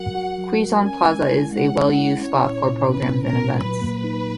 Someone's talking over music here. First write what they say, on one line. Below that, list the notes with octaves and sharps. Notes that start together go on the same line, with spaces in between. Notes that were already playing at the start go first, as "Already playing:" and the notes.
Quezon Plaza is a well used spot for programs and events.
Already playing: F#3 F#4 A#4 F#5
F#4
F#3
A#4
C#4 G#5
G#3
E4
G#3 F#5
C#4
F#5
E4
C#4 C#5
A#2
A#2
C#4 B4
A#2
A#4
A#2
F#3 B4
A#3
D#4